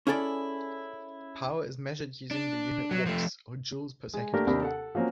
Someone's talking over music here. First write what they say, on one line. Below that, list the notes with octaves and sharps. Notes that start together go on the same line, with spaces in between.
Power is measured using the unit "watts", or "joules per second".
C#4 E4 G#4 A4 D5
D4
F#3
F3 A3
G#3
A3 A#3 D4 G4 A#4
D#2 C3 D4 G4 A#4 B5
A4 F#5
F3 F#3 A#3 C4 C#4